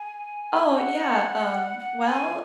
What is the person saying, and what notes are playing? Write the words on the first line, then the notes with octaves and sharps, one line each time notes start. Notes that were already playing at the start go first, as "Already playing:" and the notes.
Oh, yeah, um, well,
Already playing: G#5
F#5
F#5
G#5